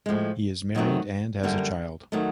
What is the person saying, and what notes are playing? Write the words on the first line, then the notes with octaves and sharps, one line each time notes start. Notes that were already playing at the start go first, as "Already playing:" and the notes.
He is married and has a child.
A2 F3 G#3
F#2 D#3 F#3 A3 C4
F#2 D3 G3 A#3
D#3 F#3 A3